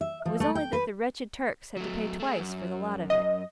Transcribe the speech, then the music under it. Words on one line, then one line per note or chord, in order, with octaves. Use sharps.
It was only that the wretched Turks had to pay twice for the lot of it.
E5
F3
A3
G5
B4
F#3 A3
A3 G#4
F#2
D#5